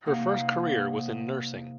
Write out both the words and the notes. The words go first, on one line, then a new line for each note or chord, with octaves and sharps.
Her first career was in nursing.
C3 A#3 D#4 F5 F#5